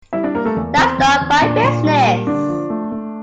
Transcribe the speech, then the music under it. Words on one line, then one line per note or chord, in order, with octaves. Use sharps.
That's not my business.
G3 E4 E5
D4 D5
A#3 A#4
A3 A4
E2
E2 C4
E2
E2
A#2 D4
A#2
G3
A#3
D3 D4
F3
A3
A3